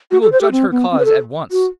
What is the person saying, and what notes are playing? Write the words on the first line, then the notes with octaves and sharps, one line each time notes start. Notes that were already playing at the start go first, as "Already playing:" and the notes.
'We will judge her cause at once.'
F#4
A4
C5
G4
C4
B3
C4
B4
A4
F#4